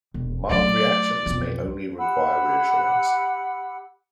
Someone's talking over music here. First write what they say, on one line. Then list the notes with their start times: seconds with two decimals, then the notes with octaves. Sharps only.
Mild reactions may only require reassurance.
0.14 E1
0.50 F#3 A3 D5
1.26 B1 F2
1.98 G4 F#5 B5 E6